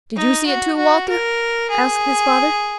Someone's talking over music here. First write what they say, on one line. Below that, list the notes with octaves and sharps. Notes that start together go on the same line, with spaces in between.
"Did you see it, too, Walter?" asked his father.
D#4
F#4
F#4
A#4
G#4